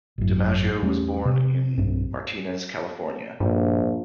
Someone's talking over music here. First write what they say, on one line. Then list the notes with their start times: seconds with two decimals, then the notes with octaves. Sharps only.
DiMaggio was born in Martinez, California.
0.18 G#1 F#2
0.82 E2 G3 A3 C#4
1.25 C3 C4
1.78 B1 G2 C4
3.40 A#1 G2